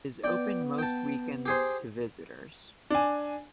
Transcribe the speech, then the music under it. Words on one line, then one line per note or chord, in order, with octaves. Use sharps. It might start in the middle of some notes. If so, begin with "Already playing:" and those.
It is open most weekends to visitors.
B3 D5 G5
G5 A5
G4 G#4 C5
D4 G#5